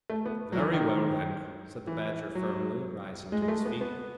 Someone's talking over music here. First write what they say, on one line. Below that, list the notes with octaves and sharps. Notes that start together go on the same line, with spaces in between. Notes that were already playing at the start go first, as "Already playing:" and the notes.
'Very well, then,' said the Badger firmly, rising to his feet.
A3
B3
F#3
E3
D#3
E3
F#3
G#3
G#3
A3
B3
B3